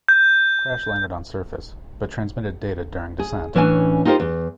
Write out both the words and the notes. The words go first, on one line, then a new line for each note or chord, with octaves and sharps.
Crash-landed on surface, but transmitted data during descent.
G6
G#4
A2 E3 C#4 D4 G#5
D#4 F4 G4 A#4 C5
E2